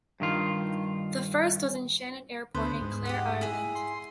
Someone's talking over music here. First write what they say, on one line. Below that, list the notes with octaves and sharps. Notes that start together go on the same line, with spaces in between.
The first was in Shannon Airport in Clare, Ireland.
G2 D#3 F4
D2 B3 C5
G#2
G4 D#5 F#5
E4 G#4
C6